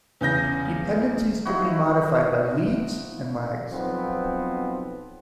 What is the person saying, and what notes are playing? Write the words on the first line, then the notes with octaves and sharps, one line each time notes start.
Dependencies can be modified by leads, and lags.
E2 C#3 G6 A#6
F3 D#4 E4 F#4
B1 F3 B3 C4